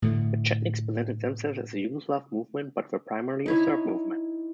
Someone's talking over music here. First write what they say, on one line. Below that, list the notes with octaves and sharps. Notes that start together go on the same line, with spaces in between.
The Chetniks presented themselves as a Yugoslav movement, but were primarily a Serb movement.
A2 D3 A3
D#4 E4 C#5